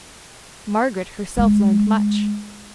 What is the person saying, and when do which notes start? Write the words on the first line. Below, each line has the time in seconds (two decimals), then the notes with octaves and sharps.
Margaret herself learned much.
1.38 G#3